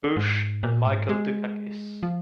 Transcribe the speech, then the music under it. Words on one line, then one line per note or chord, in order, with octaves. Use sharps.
Bush and Michael Dukakis.
G#2
A#2
G#2
G#3
F3